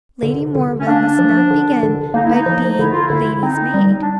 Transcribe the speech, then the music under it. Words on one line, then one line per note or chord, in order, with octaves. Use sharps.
'Lady Morville must not begin by being lady's-maid.'
D3
D3
C#4
A#3 D4
F3
D3
D3
A#3 D#4
E4
D#4
F3
D3 E4
F4
E4
D3
C4 D#4
G3
D4